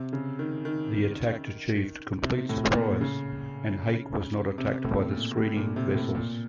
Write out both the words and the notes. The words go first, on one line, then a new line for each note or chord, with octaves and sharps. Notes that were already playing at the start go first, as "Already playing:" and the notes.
The attack achieved complete surprise and "Hake" was not attacked by the screening vessels.
Already playing: C3
C#3
D#3
D#3
C3
A2
A#2
C#3
C3
A2
A#2
A2
A#2
C3
A2
A#2